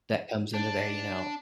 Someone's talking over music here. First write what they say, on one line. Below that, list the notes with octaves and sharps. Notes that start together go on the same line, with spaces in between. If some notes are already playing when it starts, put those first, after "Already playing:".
that comes into there, you know,
D4